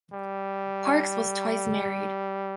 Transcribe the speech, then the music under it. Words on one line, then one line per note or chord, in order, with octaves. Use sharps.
Parkes was twice married.
G3